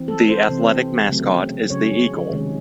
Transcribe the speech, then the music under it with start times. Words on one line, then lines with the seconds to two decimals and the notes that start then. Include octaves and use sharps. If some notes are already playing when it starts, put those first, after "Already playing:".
The athletic mascot is the Eagle.
Already playing: E3 C4
0.08 A4
0.28 C5
0.49 C3 E3 C4
1.09 C#3 F#3 A3 C4
1.70 C#3 F#3 C#4 C#5
2.31 C3 D#3 G#3 C#4